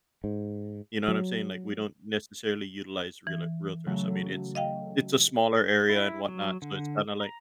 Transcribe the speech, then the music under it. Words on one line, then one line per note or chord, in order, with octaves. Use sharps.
you know what I'm saying, like, we don't necessarily utilize realer realtors, I mean, it's it's a smaller area and whatnot, so it's kinda like
G#2
F#3
E3
C#3 F#3 A3
D#5 F5 G5
E4
F#3
D3
A#5